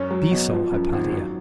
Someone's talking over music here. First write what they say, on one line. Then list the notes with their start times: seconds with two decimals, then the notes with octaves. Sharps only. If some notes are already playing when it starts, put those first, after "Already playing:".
Be so, Hypatia....
Already playing: F#2 C#4
0.11 F#3
0.31 B2
0.52 F3
0.72 F#2
0.92 G#1
1.12 F#3